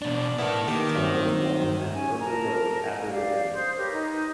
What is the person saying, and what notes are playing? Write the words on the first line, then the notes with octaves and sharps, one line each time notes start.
John was born at Merthyr Road, Abergavenny.
B2 D4 D5
B3 E4 A4 A#4
D#3 A#3 G4 D6
G2 F#3 C4
C#4 G4 G#5
A#4 A5 A#5
G4 D5 F5
C5 C6 D#6 G6
G4 A#4 B4 C#5
D#4